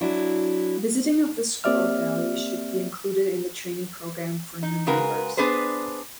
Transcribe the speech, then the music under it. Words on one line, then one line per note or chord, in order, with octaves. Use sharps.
Visiting of this wall valley should be included in the training program for new members.
F#3 D4 E4 F#4
A#3 C4 G4 D5 E5 F6
D#4
C#3 G#3 F#4 A#4 B4
B3 D4 G#4 B4 C5